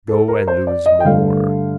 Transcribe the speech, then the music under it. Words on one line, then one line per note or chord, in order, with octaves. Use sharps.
Go and lose more.
A4
A#4
C5
D5
D#5
G5
G2 D3 A3 F5